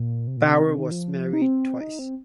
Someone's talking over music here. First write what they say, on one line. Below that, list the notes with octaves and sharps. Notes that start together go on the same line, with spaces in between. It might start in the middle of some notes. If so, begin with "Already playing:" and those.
Bauer was married twice.
Already playing: A#2
C3
A#2
C3
C3
D#3
F3
D#4
C4
D#4
C4